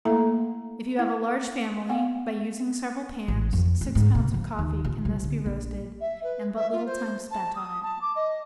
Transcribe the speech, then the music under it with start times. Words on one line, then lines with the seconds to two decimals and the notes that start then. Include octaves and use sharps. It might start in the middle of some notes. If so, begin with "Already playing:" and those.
If you have a large family, by using several pans, six pounds of coffee can thus be roasted, and but little time spent on it.
0.05 A3 A#3 E4 A4 E5 A#5
0.99 E4 F#5
1.89 B3 F5 F#5
3.28 A1
3.53 F2
3.81 A1
3.95 G#2
4.15 C3
4.34 F3
4.59 D#2
4.85 A#2
5.05 C2
5.24 D3
5.46 A#1
6.00 E5
6.23 B4
6.56 E5
6.72 F4
6.86 C5
7.31 A5
7.55 D#6
7.83 A5
8.01 D6
8.15 D#5